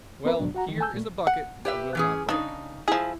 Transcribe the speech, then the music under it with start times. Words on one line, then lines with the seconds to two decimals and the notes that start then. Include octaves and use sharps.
Well, here is a bucket that will not break.'
0.25 B3 C4 A#4 B4 E5
0.39 F2 G#2 B2 F#3 D4
0.55 F#4 F#5 A#5
0.68 D#3 E3
0.81 G#5 A5 E6 G6
0.94 A#2 A3
1.27 F#5
1.65 G4 B4 E5
1.95 E3 C#4 G#4
2.29 C#3 D4 D#4
2.88 F3 E4 G#4